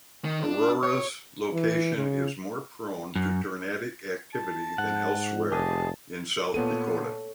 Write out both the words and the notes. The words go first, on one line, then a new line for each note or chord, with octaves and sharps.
Aurora's location is more prone to tornadic activity than elsewhere in South Dakota.
D#3
D4
C#5
E3
C#3
F#2
A5
G#2 F#5
F1 G4 G#4 D#5 A5
A#2 B3 A4 C#5 D#7